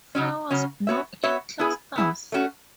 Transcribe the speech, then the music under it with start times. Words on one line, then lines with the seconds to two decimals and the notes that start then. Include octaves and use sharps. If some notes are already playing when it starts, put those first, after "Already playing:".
Flowers bloom in clusters.
0.15 C#3 F#3 C#4
0.51 C#3 F#3 C#4
0.87 B3 F#4 C#5 E5
1.23 B3 F#4 C#5 E5
1.59 B3 E4 G#4
1.96 B3 E4 G#4
2.32 A3 C#4 F#4